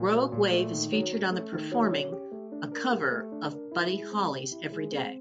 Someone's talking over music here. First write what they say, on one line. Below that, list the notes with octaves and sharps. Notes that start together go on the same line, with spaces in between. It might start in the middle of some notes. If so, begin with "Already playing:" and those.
Rogue Wave is featured on the performing a cover of Buddy Holly's "'Everyday'".
Already playing: A#2
F#3
A#2
A3
D#3
F#3
C#4
A3
D#3
F#3
C#4
G4
A3
D4
A#4
G4
A3
D4
A#4
E4
G#3
C4
G4
E4
G#3
C4